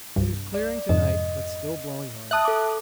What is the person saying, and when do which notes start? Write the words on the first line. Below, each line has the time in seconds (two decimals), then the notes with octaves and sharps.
It is clearing to-night, but still blowing hard.
0.16 C2 G2
0.54 D5
0.89 F2 G#2 C3 D#5
2.31 E5 A5 D#6 F#6
2.45 A4 D6